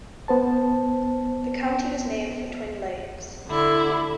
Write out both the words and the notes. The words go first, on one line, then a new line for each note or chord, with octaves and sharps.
The county was named for Twin Lakes.
B3 C5 A5
D3 E4